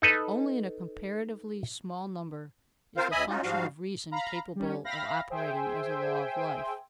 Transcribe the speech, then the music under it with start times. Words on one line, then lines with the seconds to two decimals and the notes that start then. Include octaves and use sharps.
Only in a comparatively small number is the function of reason capable of operating as a law of life.
0.02 D#4 A4 B4
2.97 C4 F4 A#4 C5 F5
3.12 D2 D#5 E5 G#5 B5 D#6
3.29 C#4 D#4 F4 F#4
3.43 G#2 F3 G3 F#4 F5
4.11 F5 A#5 B5
4.55 G3 C#4
4.84 E5 F5 G5 B5 A#6
5.29 G#4 C5 E5 G5 G#5